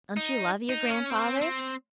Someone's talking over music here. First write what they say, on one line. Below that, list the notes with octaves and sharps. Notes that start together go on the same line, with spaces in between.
"Don't you love your grandfather?"
D#4
D#4
C#4
C4
C4